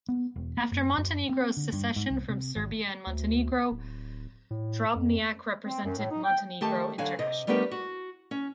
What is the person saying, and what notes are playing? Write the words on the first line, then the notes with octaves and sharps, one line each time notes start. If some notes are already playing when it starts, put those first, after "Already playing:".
After Montenegro's secession from Serbia and Montenegro, Drobnjak represented Montenegro internationally.
B3
E1
A#3
F#2
F#2
C4
D3
G2
G#2
C2
C3
G#1
D2
D1
A2
F2
C4
F#2
A2
D#4
G5
D#3 A3 G4 A5
D3 F#3 F5 G#5
C3 D#5
G3 A3 B3 D4 G4 A#4
F#4
C#4